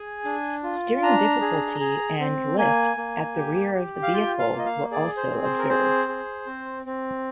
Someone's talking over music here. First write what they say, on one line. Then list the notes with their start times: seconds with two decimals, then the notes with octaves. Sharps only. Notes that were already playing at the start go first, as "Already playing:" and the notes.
Steering difficulty and lift at the rear of the vehicle were also observed.
Already playing: G#4 G#5
0.25 D4
0.63 F4
1.02 D4 A#5
1.41 G#4
1.80 G#4
2.20 C4
2.58 A#3 G#5
2.97 A#3
3.35 G4
3.74 G4
4.03 F5
4.13 F4 G5
4.39 F5
4.53 A#3
4.59 D#5
4.65 F5
4.91 G#4 D5
5.17 C5
5.30 C4
5.43 C5
5.59 A#4
5.69 G#4 C5
6.08 G#4
6.46 C4
6.86 C4